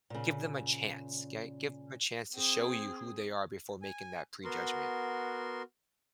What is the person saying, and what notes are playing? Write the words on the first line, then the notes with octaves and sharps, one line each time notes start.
give them a chance, 'kay? Give them a chance to show you who they are before making that prejudgment.
A#2 C#3
C4 G#4
G#5
B3 F#4 A#4 C6